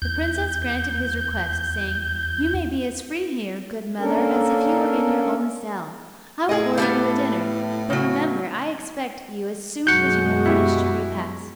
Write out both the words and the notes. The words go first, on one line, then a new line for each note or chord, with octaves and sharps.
The princess granted his request, saying, "You may be as free here, good mother, as if you were in your own cell: I will order you a dinner, but remember I expect you as soon as you have finished your repast."
E2 G6
A#3 C#4 D4 A4 A#4
A2 G#4 D#5
G3 B3 A4 F5
C#3 F#3
F#2 B2 G#3 F#4 F#6 G6 C#7
E4 G4